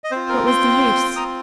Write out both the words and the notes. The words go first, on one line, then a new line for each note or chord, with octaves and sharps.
What was the use?
D#5
C4 F4 C5
A#4
G5 C6
C6
A#5 D#6